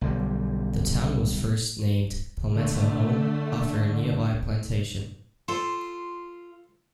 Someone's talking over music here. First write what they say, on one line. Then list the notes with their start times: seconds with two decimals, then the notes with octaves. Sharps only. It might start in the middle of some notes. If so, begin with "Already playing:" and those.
The town was first named Palmetto Home, after a nearby plantation.
0.01 B1 D3 G3
2.55 D3 A3
5.48 F4 A4 C5